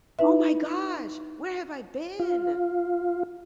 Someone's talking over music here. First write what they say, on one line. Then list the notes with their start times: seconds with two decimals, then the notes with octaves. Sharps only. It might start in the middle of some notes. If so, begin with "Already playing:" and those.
Oh my gosh, where have I been?!
0.19 D#4 E4 B4 E5
2.20 F4